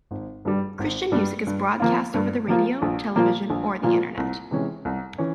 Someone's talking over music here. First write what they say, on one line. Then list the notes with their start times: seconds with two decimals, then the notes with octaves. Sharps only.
Christian music is broadcast over the radio, television, or the Internet.
0.11 G#1
0.45 G2 G3
0.79 G#1
1.12 G2 G3
1.47 G2
1.80 F3 A#3 F4
2.14 G2
2.48 F3 A#3 F4
2.82 A#1
3.16 A#2 F3 A#3 F4
3.50 A#1
3.83 A#2 F3 A#3 F4
4.17 C2
4.51 C3 E3 G#3 C#4
4.85 C2
5.18 E3 C#4